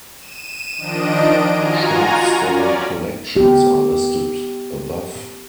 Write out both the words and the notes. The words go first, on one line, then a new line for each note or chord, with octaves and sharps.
Short story collections are listed above.
D#7 E7
D#3 F3 D4 D#5 D7
F4 F#4 G#5 A#5
C#4 D5
B3 G4